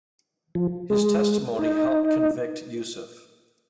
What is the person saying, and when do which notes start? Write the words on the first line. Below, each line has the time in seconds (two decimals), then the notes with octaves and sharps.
His testimony helped convict Yousef.
0.55 F3
0.90 G#3
1.59 D#4